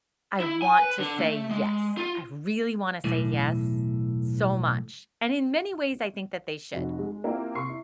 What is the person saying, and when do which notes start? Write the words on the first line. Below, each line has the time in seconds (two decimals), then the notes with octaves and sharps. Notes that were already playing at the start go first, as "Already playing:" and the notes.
I want to say yes. I really wanna say yes, so much. And in many ways, I think that they should,
0.40 E4
0.62 G#5
0.80 B4
0.99 D3
1.19 A3
1.51 G#3
1.97 F4
3.04 B1 E2 A2
6.74 F1 F2 F#4
6.99 G#3
7.24 A#3 C4 E4 F4 G4
7.55 C3 C6 C#6 C7
7.69 E4